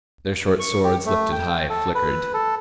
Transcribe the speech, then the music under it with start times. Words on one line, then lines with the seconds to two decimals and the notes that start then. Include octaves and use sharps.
Their short swords, lifted high, flickered.
0.60 C#6
0.84 G4
1.05 A3
1.32 G5
1.69 A4
1.95 B4
2.34 A4